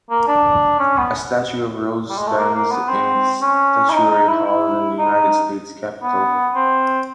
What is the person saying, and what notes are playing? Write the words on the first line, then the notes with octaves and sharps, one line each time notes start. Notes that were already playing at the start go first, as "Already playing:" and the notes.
A statue of Rose stands in Statuary Hall in the United States Capitol.
A#3
D4
C#4
B3
G3
G#3
A3
A#3
A#3
B3
C4
C#4
E4
D#4
D#4
E4
E4
D#4
B3
C4